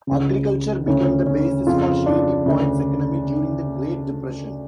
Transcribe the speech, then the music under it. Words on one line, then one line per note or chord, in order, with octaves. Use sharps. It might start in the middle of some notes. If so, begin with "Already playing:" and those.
Agriculture became the basis for Shady Point's economy during the Great Depression.
C#2 C#3
D2 C#3 C#4
C#4
F2 C#3 F4
D4
D2 C#3